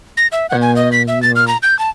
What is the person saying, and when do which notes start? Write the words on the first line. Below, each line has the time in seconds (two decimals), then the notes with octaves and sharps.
and, you know,
0.17 A#6
0.32 E5
0.50 F#5
0.61 G#5
0.76 D#5
0.92 B6
1.08 E5
1.23 A6
1.36 F6
1.48 A#5
1.63 G6
1.79 A5